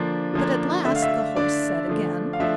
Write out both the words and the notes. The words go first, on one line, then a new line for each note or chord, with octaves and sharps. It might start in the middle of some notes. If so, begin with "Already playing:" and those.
But at last, the Horse said again.
Already playing: D3 F3 A#3 D4
D3 F3 A#3 D4
D3 A3 D4 E5
F5
E5
D3 A3 D4 D5
D3 F3 A3 D4
F5
F3 A3 D4 E5